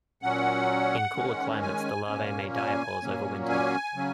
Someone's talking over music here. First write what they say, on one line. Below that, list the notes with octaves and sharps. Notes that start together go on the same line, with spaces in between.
In cooler climates, the larvae may diapause over winter.
A#2 F#3 C#4 F#5
D#3 G#3 C#4
G#5
A#2 A#3 C#4
G#5
A#2 F#3 A#3 C#4
G#5
C#3 F#3 C#4